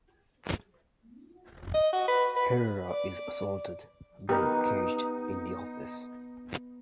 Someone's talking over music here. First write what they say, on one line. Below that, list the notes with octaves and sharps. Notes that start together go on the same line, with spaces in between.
Herrera is assaulted, then caged in the office.
D#5
F#4
B4
B4
D5
B3 D#4 G4 A#4